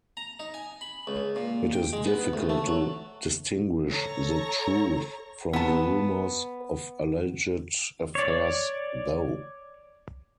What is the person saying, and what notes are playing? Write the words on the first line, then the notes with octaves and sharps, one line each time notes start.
It is difficult to distinguish the truth from the rumors of alleged affairs though.
A#5
D#4
G#5
B5
C#2
A#2
G5
G#3
B3
D2
A3
F#3
A4 C#5 A#5
B3 A5
C#5 D5